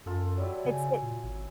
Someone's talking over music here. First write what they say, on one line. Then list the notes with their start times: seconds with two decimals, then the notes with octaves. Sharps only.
It's it
0.06 F#2 F4 A4 A#5
0.37 F#3 G3 E4
0.65 C#3 G#5
1.03 A#2
1.24 G#1